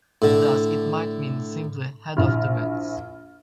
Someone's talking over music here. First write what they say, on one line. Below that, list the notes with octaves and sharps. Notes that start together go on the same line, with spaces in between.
Thus it might mean simply 'Head of the Winds'.
A2 D3
A#1 E4 F6